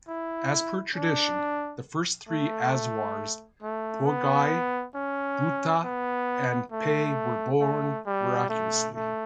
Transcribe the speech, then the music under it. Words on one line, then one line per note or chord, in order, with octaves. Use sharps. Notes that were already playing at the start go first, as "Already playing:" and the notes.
As per tradition, the first three "azhwars", Poigai, Bhutha and Pey were born miraculously.
E4
D4
A3
A3
B3
C#4
B3
A3
A3
G3
A3
A3